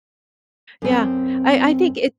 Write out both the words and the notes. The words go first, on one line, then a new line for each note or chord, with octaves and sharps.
yeah, I I think it's
F#2 C4